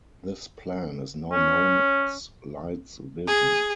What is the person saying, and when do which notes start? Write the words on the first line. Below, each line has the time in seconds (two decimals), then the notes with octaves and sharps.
This plan is now known as "Light's Vision".
1.32 C#4
3.27 G#4